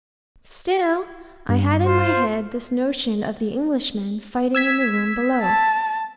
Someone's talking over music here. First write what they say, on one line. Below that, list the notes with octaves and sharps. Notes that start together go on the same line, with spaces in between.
Still I had in my head this notion of the Englishmen fighting in the room below.
G2
F4 C5
E6 G#6 B6
A5